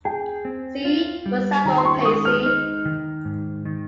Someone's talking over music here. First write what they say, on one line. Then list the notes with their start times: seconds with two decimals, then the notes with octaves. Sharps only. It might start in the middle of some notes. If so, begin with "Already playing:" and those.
See, for example, Pacey.
0.05 G#4 G5
0.45 C4
0.85 F4
1.26 G3
1.65 D#3 A#5
1.78 C6
1.85 C#6
2.00 C#6
2.05 G#3 D#6
2.25 F6
2.46 D#4
2.86 D#3
3.25 G#2
3.65 D#3